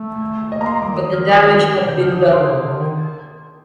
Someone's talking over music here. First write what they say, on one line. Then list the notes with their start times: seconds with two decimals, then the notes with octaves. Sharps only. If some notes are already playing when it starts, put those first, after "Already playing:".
But the damage had been done.
Already playing: A3
0.52 A#3 D#5
0.61 A#5
0.66 C6
0.82 G3 D6
0.92 D#3
0.96 D#6
1.12 D#3 F6
1.73 D#3 D6
1.83 C3
1.89 D3 G6
2.00 D3 F6
2.12 D#6
2.22 D#3 D6
2.33 D3 C6
2.49 C3
2.64 D3
2.77 D#3